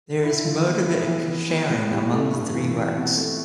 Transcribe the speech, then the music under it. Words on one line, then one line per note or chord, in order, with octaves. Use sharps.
There is motivic sharing among the three works.
E4
F3
B3
E4
E3
B3
B3
A2
G3
A3
G2
E3
C4
B2
A3